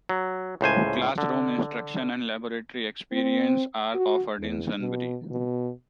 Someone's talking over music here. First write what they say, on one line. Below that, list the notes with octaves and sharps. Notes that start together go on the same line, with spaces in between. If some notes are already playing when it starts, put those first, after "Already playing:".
Classroom instruction and laboratory experience are offered in Sunbury.
F#3
C#2 A2 C5 G#5
D3
C4
F#4
E2
B2
B2